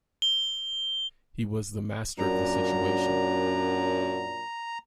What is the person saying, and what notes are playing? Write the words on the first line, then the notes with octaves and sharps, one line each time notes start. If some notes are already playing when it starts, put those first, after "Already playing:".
He was the master of the situation.
G7
F#2 A#2 F#3 D4 A#5